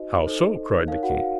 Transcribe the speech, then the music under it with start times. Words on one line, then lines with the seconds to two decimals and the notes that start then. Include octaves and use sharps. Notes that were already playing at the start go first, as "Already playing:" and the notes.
"How so?" cried the king.
Already playing: D#4 F#4 C5 D#5
0.26 D#4 A4 C5
0.88 D#4 A#4 C#5 F5
1.03 F#4 F#5
1.19 F5